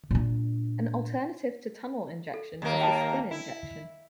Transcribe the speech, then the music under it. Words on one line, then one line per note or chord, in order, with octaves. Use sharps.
An alternative to tunnel injection is the spin injection.
A#2 D4
A4
D#2 A#3
G5 A5
E4